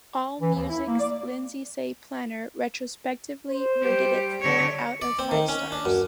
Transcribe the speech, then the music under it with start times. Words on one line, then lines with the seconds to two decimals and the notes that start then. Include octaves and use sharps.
Allmusic's Lindsay Planer retrospectively rated it four out of five stars.
0.41 E3
0.54 D#2
0.69 E4
0.87 A#3
0.99 D5
3.49 C5
3.82 G3 G4
4.40 D3 C#5
5.02 D5
5.19 C4
5.31 D#3
5.48 C#4
5.72 D4
5.85 F#2